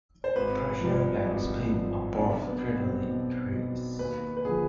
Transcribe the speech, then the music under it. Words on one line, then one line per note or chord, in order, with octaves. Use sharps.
Pressure and speed are both gradually increased.
C5
G#1 B4
G2 F3
G#1
G2 F3
B1 D4
B3
B2
C4
B1
B2
D#2 B4
B4
D3 F3 G#4